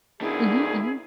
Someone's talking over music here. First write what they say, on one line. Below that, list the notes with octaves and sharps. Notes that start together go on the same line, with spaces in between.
Mhm, mhm.
B2 D#3 D4 E4 G#4